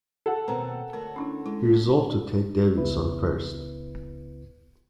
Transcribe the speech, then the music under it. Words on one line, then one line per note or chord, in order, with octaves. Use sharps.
He resolved to take Davidson first.
A4 F#5
D#2 B2 C4 A#4 B4 A#5
D2 F#4 A#4 C#5
C#4 D4 E4
G#3 E4
C#2 C#3 B3 E4 B4